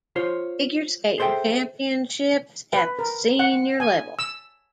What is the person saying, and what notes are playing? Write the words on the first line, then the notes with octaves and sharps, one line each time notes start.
Figure Skating Championships at the senior level.
F4 C5 C#5
G#4 A4 C5 C#5 E5 G5
B4
A#4
F#5
G#5
E6